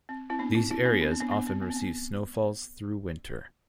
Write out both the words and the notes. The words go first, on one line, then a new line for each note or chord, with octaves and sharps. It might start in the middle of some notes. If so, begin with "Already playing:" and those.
These areas often receive snowfalls through winter.
C4
C4 E4
B3 D4
C4 E4
C4 E4
B3 D4
B3 D4
C4
B3 D4
B3 D4
C4
B3
C4
B3